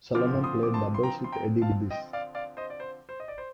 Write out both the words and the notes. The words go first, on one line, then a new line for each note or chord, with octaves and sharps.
Solomon played doubles with Eddie Dibbs.
D3 F3 C4 D6 F6
C6 D#6
D6
A5 C6
C6
G5 A#5
C6
G5 A#5
F5 A5
D#5 G5
D5 F5
D5 F5
C5 D#5
D5
C5
C5
D#5
D5
C5